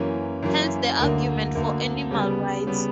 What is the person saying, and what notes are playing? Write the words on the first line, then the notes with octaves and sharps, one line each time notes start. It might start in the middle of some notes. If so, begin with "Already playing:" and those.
Hence the argument for animal rights.
Already playing: F#2 E3 A#3 C#4
F#2 E3 A#3 C#4
D2 D3 A#3
D2 D3 A#3
C#3 G3 B3
C#3 G3 B3